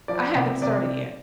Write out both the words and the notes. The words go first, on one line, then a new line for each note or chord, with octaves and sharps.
I haven't started yet.
F3 D5
C3
C3 D5